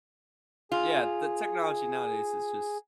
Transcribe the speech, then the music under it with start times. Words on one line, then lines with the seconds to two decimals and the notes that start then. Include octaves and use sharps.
Yeah, the technology, nowadays, is just
0.72 F4 G#4